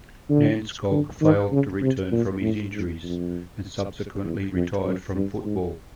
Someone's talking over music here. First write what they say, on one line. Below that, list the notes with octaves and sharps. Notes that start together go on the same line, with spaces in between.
Nannskog failed to return from his injuries and subsequently retired from football.
D3
D3
D#3
C#3
C3
A#2
A2
G#2
F2
E2
F2
F#2
G2
G#2